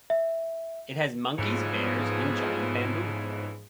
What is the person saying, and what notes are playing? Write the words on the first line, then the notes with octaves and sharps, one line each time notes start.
It has monkeys, bears and giant bamboo.
E5
F2 G#2 C#3 E3 F3 B3 G#4